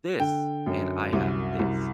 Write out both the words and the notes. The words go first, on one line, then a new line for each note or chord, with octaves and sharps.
this, and I have this.
D3 G5
F#2
C2
C2